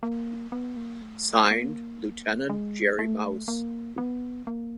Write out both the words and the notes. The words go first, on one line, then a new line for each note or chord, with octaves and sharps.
Signed, Lieutenant Jerry Mouse.
A#3
B3
A#3
A3
A#3
G#3
A3
A#3
B3
A#3